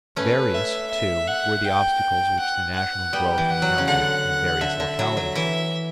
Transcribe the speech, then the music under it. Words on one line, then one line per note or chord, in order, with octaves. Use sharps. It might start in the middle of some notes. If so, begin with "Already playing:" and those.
Various, too, were the obstacles which the national growth encountered in various localities.
A3 C#4 B4
E5
E5
F#5
G5
F#5
F#5
G3 B3 G5
E3
F#5
F#3
C#3
D3 F#5
D3 E5
D3
F#3
F#3
E3 E5